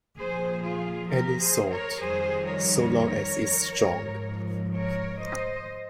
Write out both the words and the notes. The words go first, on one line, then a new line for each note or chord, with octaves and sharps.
Any sort, so long as it's strong.
A#2 F3 G#4 C5
F4 G#4
G4 A#4
G#4 C5
A#4 C#5
F2 D#3 G3 G#4 C5
A#4 C#5
G#2 F3
A#4 C#5
C5 D#5